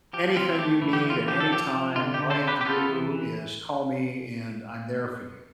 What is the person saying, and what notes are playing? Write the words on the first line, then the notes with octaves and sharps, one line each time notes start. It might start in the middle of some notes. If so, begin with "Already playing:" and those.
anything you need at any time, all you have to do is call me and I'm there for you,"
F3 G4
C4 F4
A3 G4
E3
G4
E3
F4
F3 G4
A4
F3 G4
F3
D3 F4
G4
D3
A4 C5
C4
G4 B4
G4
B3 F4 A4
E3
E3